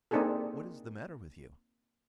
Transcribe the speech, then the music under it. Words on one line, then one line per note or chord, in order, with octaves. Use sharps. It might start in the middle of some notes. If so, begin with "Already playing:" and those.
"What is the matter with you?"
A#3 C4 D4 D#4 G#4 A4